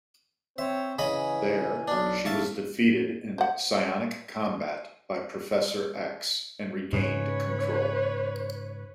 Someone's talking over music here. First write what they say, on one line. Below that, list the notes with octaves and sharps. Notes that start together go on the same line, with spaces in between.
There, she was defeated in psionic combat by Professor X, and regained control.
C4 C5 C#5 E5
C#3 E3 D#5 G#5 B5
B1 D4
A2 E5 F5 A5 C#6
C5 F#5
G#2 C#3 B4 C#5